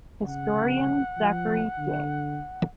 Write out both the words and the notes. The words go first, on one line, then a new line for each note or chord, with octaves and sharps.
Historian Zachary J.
C#3 F#5
F3
D3